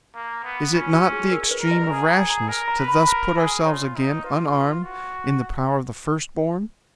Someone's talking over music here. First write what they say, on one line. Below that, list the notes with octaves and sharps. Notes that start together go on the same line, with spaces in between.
"Is it not the extreme of rashness to thus put ourselves again, unarmed, in the power of the First Born?"
A#3
B3
C#4 F4
F#4
G#4
A#4
B4
A#4
D#5
A#5
G#4 G#5
A#5
A#5
A#4 G#5
A#5
B4
B5
A#4 A#5
G#4 G#5
F4 C#5
D#4
F4 B4
F#4